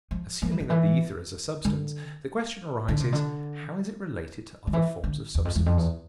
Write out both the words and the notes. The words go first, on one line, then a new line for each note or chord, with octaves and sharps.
Assuming that the ether is a substance, the question arises how is it related to other forms of substance?
F3
F3
E3
D3
E3
D3
D3
C3
D3
D3
E3
D3
E2
F2
E2
F2
E2